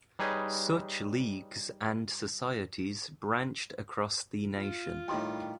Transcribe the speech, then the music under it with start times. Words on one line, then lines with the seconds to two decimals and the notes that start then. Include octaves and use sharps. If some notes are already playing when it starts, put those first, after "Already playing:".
Such leagues and societies branched across the nation.
0.19 G3 D#4 G#4 B4 C#5
4.56 F4
5.08 A2 D#3 G3 G5 C6 D#6